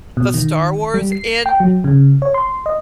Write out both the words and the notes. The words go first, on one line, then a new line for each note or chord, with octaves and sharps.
the Star Wars, and,
B2
D#3
G3
C7
G5
F#3
C#3
C#5
C6
D#5